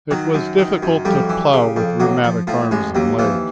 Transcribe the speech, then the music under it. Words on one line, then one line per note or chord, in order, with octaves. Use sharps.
It was difficult to plough with rheumatic arms and legs.
D#3 F#3
F#2
D#3
F#2
F2 G3
E3
C#3
F2
A1 F#3
F3
A2 F3
A1 G#3
D#2 F#3
E3 F3